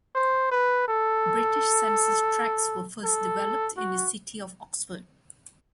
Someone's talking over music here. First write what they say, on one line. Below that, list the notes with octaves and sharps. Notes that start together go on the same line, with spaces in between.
British census tracts were first developed in the city of Oxford.
C5
B4
A4
A4
F#4